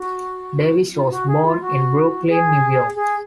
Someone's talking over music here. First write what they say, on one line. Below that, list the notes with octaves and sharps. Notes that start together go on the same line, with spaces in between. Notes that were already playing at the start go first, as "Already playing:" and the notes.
Davis was born in Brooklyn, New York.
Already playing: F#4
F4
F4
F#4
G#4
F4
F#4
G#4
G#4